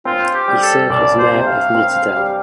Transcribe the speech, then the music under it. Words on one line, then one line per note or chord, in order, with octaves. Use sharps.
He served as mayor of Nittedal.
C4 F4
G4
G3
A4
C2 D5
C5
C3
F5
C4
G3